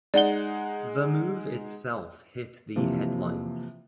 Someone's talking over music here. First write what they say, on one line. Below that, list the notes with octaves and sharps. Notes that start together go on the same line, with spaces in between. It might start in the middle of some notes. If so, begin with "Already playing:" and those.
The move itself hit the headlines.
G#3 D#4 D5 F#5 G7
C3 E3 F3 A#3